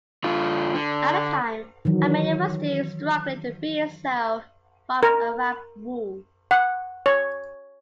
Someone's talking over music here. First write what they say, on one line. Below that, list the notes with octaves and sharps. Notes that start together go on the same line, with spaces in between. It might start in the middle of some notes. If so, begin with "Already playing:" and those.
At the time, Armenia was still struggling to free itself from Arab rule.
D3 F4
D3
D#3 E3 F#3
A#4
F#5
C#5